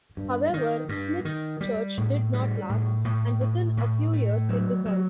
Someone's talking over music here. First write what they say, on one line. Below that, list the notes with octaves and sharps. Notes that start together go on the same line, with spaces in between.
However, Smith's church did not last, and within a few years it dissolved.
G2
D#3
G2
D#3
G3
A2
G3
A2
A2
A2
A2
A3
F#3
F#3